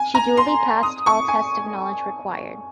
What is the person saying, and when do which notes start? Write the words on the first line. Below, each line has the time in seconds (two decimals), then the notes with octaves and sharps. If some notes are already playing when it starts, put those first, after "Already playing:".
She duly past all test of knowledge required.
Already playing: G#5
0.15 A#5
0.37 C6
0.83 D#6
1.06 C#6
1.28 G#5